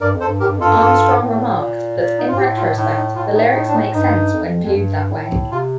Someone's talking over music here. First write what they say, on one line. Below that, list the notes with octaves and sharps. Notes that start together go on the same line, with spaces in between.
Armstrong remarked that, in retrospect, the lyrics make sense when viewed that way.
G2 A#4 D5
F2
A4 C5
G2
A2 G4 A#4
G2
F2
G2 F4 A4
F2
G2
A2
A#2
A#2
D#4
G2 F4
A2 G4
F4
A2 D#4
D#4
A2 F4
D#4
D#4
D4
D#4
G2 D#4
F2
F2
G2
A2
C3 F4